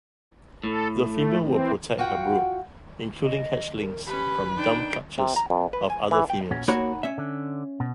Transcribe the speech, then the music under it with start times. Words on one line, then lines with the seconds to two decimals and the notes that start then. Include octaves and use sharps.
The female will protect her brood, including hatchlings from dump clutches of other females.
0.64 A2 A4
1.02 A3
1.44 E3 C4
1.98 F4 F#4 F#5 G5
3.24 D#5
3.78 A#4
4.07 C#4 G4 B4 B5
4.56 D4 D#4 G5
5.18 C3
5.36 A#5
5.50 F2
5.73 B4
5.90 G#5
6.11 E3
6.30 G5
6.51 A#2 C#4 F#4
6.68 A#3 D#4 F#4 C#5 F#5 B5
7.03 C#4 E5
7.18 D3
7.80 B2